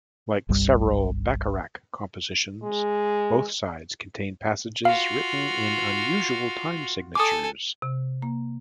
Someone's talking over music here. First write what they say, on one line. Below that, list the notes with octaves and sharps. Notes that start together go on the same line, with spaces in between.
Like several Bacharach compositions, both sides contain passages written in unusual time signatures.
G1 C2 G2 G3
G#3
F4 F#4 F5
A4 G#5 D6 D#6
C3
A#3